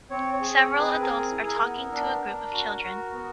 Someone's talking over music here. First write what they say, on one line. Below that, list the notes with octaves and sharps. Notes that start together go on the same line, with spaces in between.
Several adults are talking to a group of children.
C4 C#5
C#5
G#4
C#5
C4
B4
G#4 A#4
E4
A#4
B3
D4
D4
F#4
F#4
B3